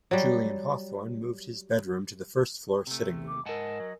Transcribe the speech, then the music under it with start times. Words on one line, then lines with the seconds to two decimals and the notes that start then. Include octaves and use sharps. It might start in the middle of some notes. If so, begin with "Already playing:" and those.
Julian Hawthorne moved his bedroom to the first floor sitting room.
0.11 F#3 G3
2.87 C3 A3
3.28 D6
3.46 G#2 A#4 D#5 F#5 G#5 A5
3.80 F#3